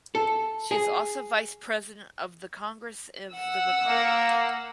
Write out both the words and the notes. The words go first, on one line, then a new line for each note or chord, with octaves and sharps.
She is also Vice President of the Congress of the Republic.
A4
G#4
F#5 E6
A#3 A#4